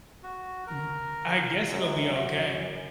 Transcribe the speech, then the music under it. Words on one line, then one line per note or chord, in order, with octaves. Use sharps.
Mhm. I guess it'll be okay
F#4
A#4
F#2 F#3 G#3
E3 E5